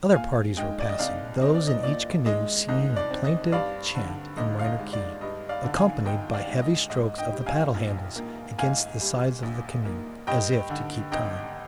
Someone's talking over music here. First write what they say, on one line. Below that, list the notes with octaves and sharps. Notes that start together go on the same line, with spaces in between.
Other parties were passing, those in each canoe singing a plaintive chant in minor key, accompanied by heavy strokes of the paddle handles against the sides of the canoe, as if to keep time.
A#2 F5 G#5
G#3 D#5 G5
D5
D#5
C2 D5 F5
C4 D#5
D5
D#5
A#2 D5
G#3 D#5
C2 D#5
D5
C4
D#5
G2 D5 F5
D3
G1 D#5
F5
D#5
G#3
D5
G2 D#5
D5 F5
D3
F5 G#5
G1 D#5 G5
D5 F5
G#3
D#5
G#2 D#5
D#5 G5
G3
F5 G#5
A#1
A#3
G#2 F5 G#5
G3
A#1
A#3
G2 D#5 G5
D3
G#1 D#5 G5